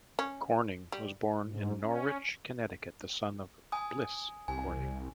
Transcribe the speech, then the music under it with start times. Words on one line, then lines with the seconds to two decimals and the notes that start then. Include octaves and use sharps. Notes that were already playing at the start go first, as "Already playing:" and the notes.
Corning was born in Norwich, Connecticut, the son of Bliss Corning.
0.19 C#4
0.92 G3
1.42 G#2
1.81 C#4
3.72 G#5 D#6
4.48 C2 G#5